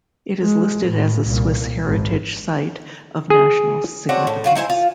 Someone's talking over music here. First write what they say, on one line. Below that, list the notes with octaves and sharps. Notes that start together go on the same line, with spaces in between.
It is listed as a Swiss heritage site of national significance.
G#3
A2
C2 A#2
G#1
G#4
C4 D4 F#4 C#5
A2
F#3 F4 F#4
D#4 E4 C5 G#5
F4